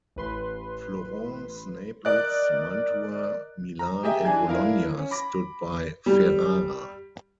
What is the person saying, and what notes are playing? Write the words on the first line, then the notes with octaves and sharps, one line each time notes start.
Florence, Naples, Mantua, Milan, and Bologna stood by Ferrara.
A1 B4 C6
A#4 D5 D#5 F#6
A#5
G4 G#4 D#5 E5 G5 A#5
E3 D4 G#5 G#6
D4 E4 A#4 F5
C#4
B5 D6 A#6
G3